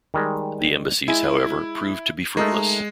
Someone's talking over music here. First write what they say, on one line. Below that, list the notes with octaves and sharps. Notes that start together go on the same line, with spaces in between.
The embassies, however, proved to be fruitless.
D#3 G3 G#3
G#3 E4
G#3 A3 D#4 A#4